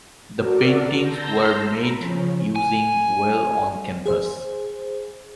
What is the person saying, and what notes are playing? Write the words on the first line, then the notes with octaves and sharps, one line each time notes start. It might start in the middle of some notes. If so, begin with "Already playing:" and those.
The paintings were made using oil on canvas.
F#4 A4 A#4 D5
A5 A#5 C6 E6 G6 A#6
A#5 B5
C#3 F3 C#4
G#5
G#4 C5